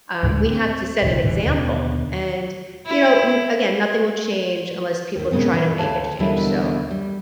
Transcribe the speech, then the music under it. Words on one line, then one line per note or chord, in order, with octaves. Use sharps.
um, we have to set an example, and, you know, n again, nothing will change unless people try to make a change. So,
D2 A2 D3 G#3
C4
D#1 C2 D#3
D#1 A2 D3 E3
D#2 B2 D3 B3
E4
D#2 D#3
A#2 C#3 G#3 B3 C4
A#2 E3
D2 E3 C#5 F5 A5
D#2 B2 D3 E3 G3 E4
G3